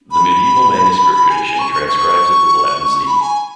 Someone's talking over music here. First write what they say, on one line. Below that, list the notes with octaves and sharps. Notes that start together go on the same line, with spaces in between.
The medieval manuscript tradition transcribes it with Latin Z.
B5
G#5
G#5
C#6
C#6
C#6
B5
G#5